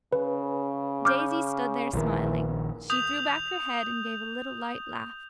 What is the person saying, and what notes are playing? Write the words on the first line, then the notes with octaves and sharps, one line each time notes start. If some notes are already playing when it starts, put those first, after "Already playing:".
Daisy stood there smiling; she threw back her head and gave a little, light laugh.
C#3 B4
D6 F6 G6
A#1 D#3 E3
D#6 G6 F7